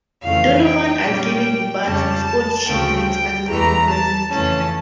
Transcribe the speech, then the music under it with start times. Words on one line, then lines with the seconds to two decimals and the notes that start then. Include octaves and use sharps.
Donovan has given the bar to his old shipmate as a wedding present.
0.22 F2 C#3 E3 A3 C#4 F5
0.63 G5
1.04 A#2 G3 C#4
1.85 F2 C#3 G3 C#4 A5
2.26 A5
2.67 D2 C#3 F3 A3 G5
3.08 G5
3.48 E2 E3 A3 A#5
3.89 A5
4.30 F2 C#3 E3 A3 C#4 A5